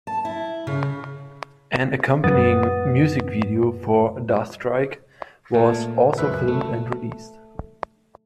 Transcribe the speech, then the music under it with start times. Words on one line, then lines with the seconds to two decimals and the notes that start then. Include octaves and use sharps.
An accompanying music video for "Da Strike" was also filmed and released.
0.07 A5
0.25 E4
0.67 C#3
2.24 F#2 B4 F#5 D#6 A6
5.54 A#2 A3
6.18 C#2 F#2 B4 E5
6.48 A3